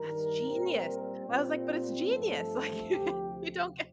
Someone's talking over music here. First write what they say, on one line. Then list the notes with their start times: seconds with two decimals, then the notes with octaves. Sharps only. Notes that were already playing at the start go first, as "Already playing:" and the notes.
"That's genius." I was like But, it's genius. Like, you don't get
Already playing: G2 D#3 G3 A#4
0.46 A#2 G3 C4
1.27 A#2 G3 C4
2.09 G2 F3 A3 C4 A4
2.91 D2 C3 F3 G4